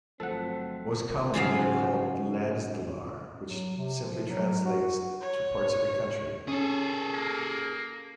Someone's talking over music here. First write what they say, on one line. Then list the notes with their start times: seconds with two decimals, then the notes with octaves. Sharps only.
Most commonly they are called "landsdelar", which simply translates to "parts of the country".
0.20 G1 F3 F#3 A3 C4 D#4 A4 F#5
1.34 C#3 F3 F#3 F5
3.42 F#3
3.77 C3
4.04 F3
4.29 F#3
4.65 F#4
5.21 C#5
6.48 C#4 G#4 A4
7.14 A#3